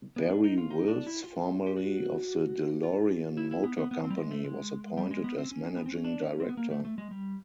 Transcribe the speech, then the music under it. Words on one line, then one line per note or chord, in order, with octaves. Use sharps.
Barrie Wills, formerly of the DeLorean Motor Company, was appointed as managing director.
B3
D4
D#4
F4
D#4
D4
E4
F4
G4
F#4
F4
E4
E4
B3
B3
B3
C4
G3
G#3
A3
G#3
G3
G#3
B3
C4
C#4
B3
C4
C#4
D4
C#4
C4
B3
A#3
A3
A3
G#3
G3